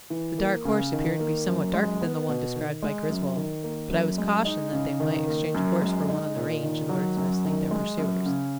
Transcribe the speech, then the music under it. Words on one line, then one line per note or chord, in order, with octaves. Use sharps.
The dark horse appeared to be somewhat darker than the one described by Griswold, but I was cautioned that they might exchange a horse for one on the range in order to mislead their pursuers.
E3
A#3
C#3
D#3
A#3
F#2
G#3
B3
B2
D#3
G#3
F#2
D#3
A#3
F#2
G#3
D#4
C#3
D#3
A#3
F#2
G#3
D#4
A#2
D#3
F#3
F#2
D#3
G#3
F#2
C#3